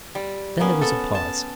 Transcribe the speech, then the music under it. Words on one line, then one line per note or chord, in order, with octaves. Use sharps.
Then there was a pause.
G3
A#3 B3 C#4
B3 A4
A5